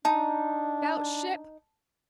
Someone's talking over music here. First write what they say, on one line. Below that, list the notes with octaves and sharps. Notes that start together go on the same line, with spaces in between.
Bout ship.
D4 D#4 A5